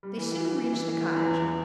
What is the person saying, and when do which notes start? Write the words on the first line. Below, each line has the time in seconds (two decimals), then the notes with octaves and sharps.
They soon reached the cottage.
0.03 G3
0.17 E3
0.31 E3
0.45 E3
0.59 E3
0.73 E3
0.88 E3
1.01 E3
1.16 E2
1.31 E2